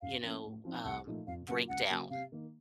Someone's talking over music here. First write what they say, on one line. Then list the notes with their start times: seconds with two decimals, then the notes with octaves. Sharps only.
you know, um, breakdown,
0.02 F#2 F5
0.22 F3 A#3 C#4
0.44 A2
0.65 F3 C4 D#4
0.85 C2 F#5
1.06 A#2 F3 A3 D#4
1.27 F2 F5
1.48 C#3 F#3 A#3 F4 F#5
1.69 C#2 F#5
1.90 C#3 F#3 A#3
2.10 C3 F5
2.32 D#3 A#3